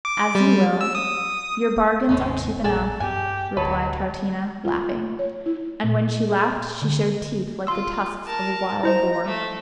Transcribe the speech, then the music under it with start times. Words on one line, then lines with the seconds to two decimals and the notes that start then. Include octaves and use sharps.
"As you will; your bargains are cheap enough," replied Troutina, laughing: and when she laughed she showed teeth like the tusks of a wild boar.
0.05 D6
0.35 G3
0.81 E6
0.95 D#6
2.09 F1 D#2 G#2 G#3 C#4 D#4
2.64 A#1 G#4 A4 D5 G#5
3.00 G2 B3 G4 G#5
3.57 D2 F#3 B4 C#5 D#5 A5
4.65 F4
5.19 C#5
5.46 E4
5.84 A#2
6.31 G#4
6.82 D3
7.67 F4 C6 E6
8.26 A#4 A5
8.83 E4 C5 D#5 A#5
9.26 A3